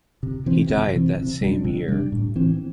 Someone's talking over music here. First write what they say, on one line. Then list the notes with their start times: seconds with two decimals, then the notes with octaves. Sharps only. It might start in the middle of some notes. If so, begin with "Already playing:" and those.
He died that same year.
0.23 C3
0.46 E3 C4
0.70 C3
0.94 E3 C4
1.17 C3
1.41 G3 D4
1.64 C3
1.88 G3 D4
2.12 A2
2.36 E3 C4